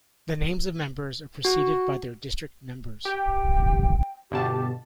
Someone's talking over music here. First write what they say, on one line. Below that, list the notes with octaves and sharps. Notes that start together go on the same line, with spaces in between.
The names of members are preceded by their district numbers.
F#4
G4 G5
G1 B2 G4 A5